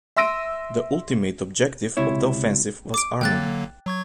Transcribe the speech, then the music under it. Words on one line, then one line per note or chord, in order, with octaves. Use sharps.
The ultimate objective of the offensive was Arnhem.
E5 C6 E6 A#6 D7 D#7
C#2 C3 E4 C#5
D6 D7
D3 F#3 A#3 G5 F#6 A6
F#3 C#6 G#6